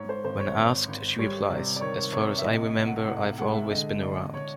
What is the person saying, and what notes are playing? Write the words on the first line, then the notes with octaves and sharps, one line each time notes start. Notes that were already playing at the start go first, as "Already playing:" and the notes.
When asked, she replies, As far as I remember, I've always been around.
Already playing: G#2 C#5
C5
G#1 C5
C#5
G#1
G#1
G3 C#5
C3 D5
D5
D#3 C#5
C3 C#5
E5
A2 D#5
A2
F#5
A2 F#5
F5
G#3 F#5
E5
D3 D#5
D3 D5
C#5